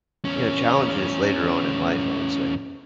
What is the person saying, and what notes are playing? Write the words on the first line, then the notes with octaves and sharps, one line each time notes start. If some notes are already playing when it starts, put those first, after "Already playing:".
you know, challenges later on in life, I would say.
E2 C#4